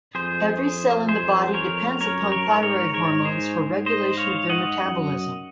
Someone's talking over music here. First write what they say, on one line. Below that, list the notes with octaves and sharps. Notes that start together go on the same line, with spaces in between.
Every cell in the body depends upon thyroid hormones for regulation of their metabolism.
F2 G#4 C5
G#4 C5
A#4 C#5
F#2 A#4 C#5
A#4 C#5
G#2
A#4 C#5
G#2 A#4 C#5
G#4 C5
C5 D#5
C#5 F5
D#5 F#5
F#2